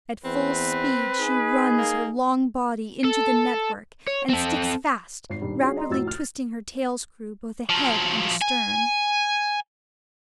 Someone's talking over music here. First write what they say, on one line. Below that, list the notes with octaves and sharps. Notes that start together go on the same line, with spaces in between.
At full speed she runs her long body into the network and sticks fast, rapidly twisting her tail-screw both ahead and astern.
E2 C4 B4
D#4 G#4
A#3
A4
C#5
C4 A4
G#1 C7
D#1 G2 D#3
C#4 D4 F4 F#4 G#4
D5 D#5 A#5 C6
F2 A2 F#3 F#4 E6 A6
F6
F3 F#3
G#5